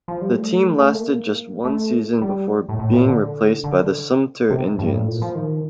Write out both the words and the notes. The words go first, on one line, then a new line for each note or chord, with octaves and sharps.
The team lasted just one season before being replaced by the Sumter Indians.
F3
G3
A3
A3
A#3
A3
G3
A2
A2
A#2
D3
D3
C3
G2
A2
A#2
F3
D#3